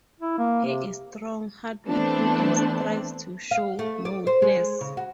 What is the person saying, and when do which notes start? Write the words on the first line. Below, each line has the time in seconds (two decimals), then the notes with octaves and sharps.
He is strong, hard-working, and strives to show no weakness.
0.20 E4
0.38 A#3
0.66 C3
1.88 E3 A3 B3 C4 D4
3.51 F5
3.79 A3
4.05 D5
4.27 C5
4.42 G#3
4.81 C#3
4.97 F#4